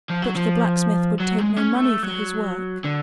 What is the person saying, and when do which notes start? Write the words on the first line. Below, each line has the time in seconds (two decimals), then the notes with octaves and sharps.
But the blacksmith would take no money for his work.
0.09 F3
0.22 F#3
0.36 F3
1.20 F#3
1.38 G#3
1.56 C#4
1.75 A3
2.03 F#3
2.84 D3